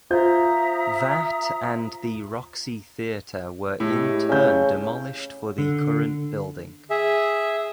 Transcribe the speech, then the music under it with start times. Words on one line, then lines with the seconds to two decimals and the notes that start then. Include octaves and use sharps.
That and the Roxy Theatre were in turn demolished for the current building.
0.10 F4 C5 E5 A#5 D#6 G6
3.80 A2 G#3 E4 G4
4.29 C#3 C#4 G6
5.58 D3
6.90 G#4 E5